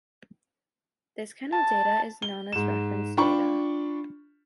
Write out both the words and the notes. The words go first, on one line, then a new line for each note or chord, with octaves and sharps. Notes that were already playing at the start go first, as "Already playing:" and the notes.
This kind of data is known as reference data.
A5
G7
G#2 E7
D4 F4 G5 B5 C#6